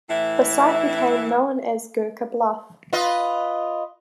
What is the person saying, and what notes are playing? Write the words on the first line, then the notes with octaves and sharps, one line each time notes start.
The site became known as 'Gurkha Bluff'.
A2 E3 E4
F4 B4 D#5